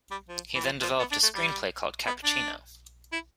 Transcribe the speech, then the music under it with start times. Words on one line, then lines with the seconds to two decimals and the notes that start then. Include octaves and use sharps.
He then developed a screenplay called "Cappuccino".
0.11 G3
0.29 F3
0.55 E3
0.64 F3
0.82 F3
0.99 B3
1.11 D4
1.23 A3
1.35 G3
2.07 B3
2.24 D4
3.12 E4